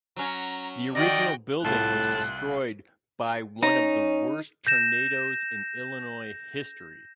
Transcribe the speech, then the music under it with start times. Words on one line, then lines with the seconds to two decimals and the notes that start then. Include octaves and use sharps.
The original building was destroyed by one of the worst tornadoes in Illinois history.
0.17 F#3 C#4 A#5
0.95 D#3 D#4 F#4 D5 G5 A#6
1.64 C2 A2 F4 A5 F#6
3.63 C#4 D#4 A#5
4.67 G6 A#6 E7